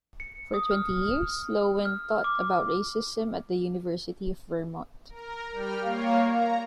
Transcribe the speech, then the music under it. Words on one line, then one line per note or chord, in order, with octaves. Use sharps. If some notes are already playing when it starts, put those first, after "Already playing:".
For twenty years, Loewen taught about racism at the University of Vermont.
C#7
D#6
F6
F6
D6
A#4
G3 G5 F6
A#3 A#4 C#5 F5
A#5